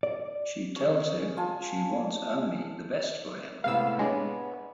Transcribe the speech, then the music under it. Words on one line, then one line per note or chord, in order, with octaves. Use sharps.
She tells him she wants only the best for him.
D5
C#4 G#4
F4 G#5 A5
A2 C3 G#3 B3 F5 E6
G#3 D4 C#5